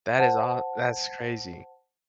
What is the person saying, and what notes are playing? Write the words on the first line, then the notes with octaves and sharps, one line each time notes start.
That is aw that's crazy.
C5 F#5 A5